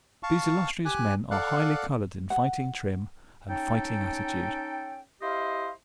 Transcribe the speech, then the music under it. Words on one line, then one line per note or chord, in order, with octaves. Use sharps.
These illustrious men are highly coloured in fighting trim, and fighting attitude.
F5 A5 C#6
G4 G#5 F#6
A4 D5 F5 F#5 F#6
F#5
C#4 D#4 A4 G5
E4 G4 C5 D#5 F5